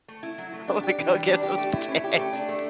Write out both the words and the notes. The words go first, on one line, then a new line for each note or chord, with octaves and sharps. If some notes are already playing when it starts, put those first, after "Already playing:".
"I'm gonna go get some snacks."
A3
E4
F#3
A3
D4
G4
E3
G3
D4
G4
A3
E4
C#4
G4
A3
D4
A3